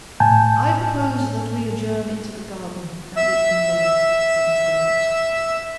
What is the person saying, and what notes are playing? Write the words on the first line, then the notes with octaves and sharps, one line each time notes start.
'I propose that we adjourn into the garden, and eat them there' said Mr. Lennox.
A2 G#5 A5 G6
E5 E6